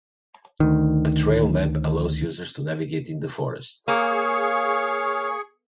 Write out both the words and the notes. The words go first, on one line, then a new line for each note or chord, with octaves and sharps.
A trail map allows users to navigate in the forest.
D2 D#3
A#3 G#4 C#5 F5 C#6